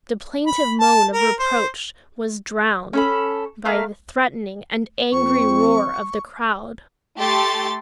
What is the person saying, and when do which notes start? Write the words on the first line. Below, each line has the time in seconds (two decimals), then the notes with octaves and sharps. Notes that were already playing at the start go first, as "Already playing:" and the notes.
The plaintive moan of reproach was drowned by the threatening and angry roar of the crowd.
0.47 B5
0.80 A5
1.13 A#4
1.39 C5
2.93 C#4 A4 B5
3.65 A3 A#3 F5
5.12 F2 C4 C#6
7.18 A3 G4 C6 A6